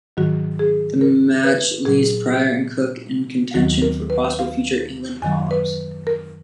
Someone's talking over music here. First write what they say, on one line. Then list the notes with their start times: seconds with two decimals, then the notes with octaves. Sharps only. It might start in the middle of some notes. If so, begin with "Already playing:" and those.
The match leaves Prior and Cook in contention for possible future England call-ups.
0.17 G#2 D#3 F#3 F#4
0.59 G#4
1.01 A#4
1.44 B4
1.85 A#2 F#3 G#4
3.54 D#2 D#3 F#3 F#4
3.82 A#4
4.10 B4
4.39 F5
5.22 F#2 D#3 F#3 G#5
5.51 B4
6.07 A#4